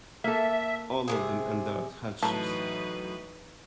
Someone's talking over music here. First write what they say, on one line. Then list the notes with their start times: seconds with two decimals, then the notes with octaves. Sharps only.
All of them endured hardships.
0.24 A#3 A4 E5
1.08 C3 D#3 G#4
2.23 A2 E3 F#3 D#4 B4 A5 A#5